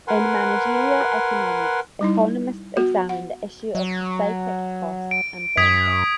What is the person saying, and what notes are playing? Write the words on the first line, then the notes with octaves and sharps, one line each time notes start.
In managerial economics, economists examine the issue of psychic costs and benefits.
A#4 B4 F#5 G#5 C6
G3 D#4 E4
B3 F#4
F#5
F#3
D7
F#2 D#6 G#6 B6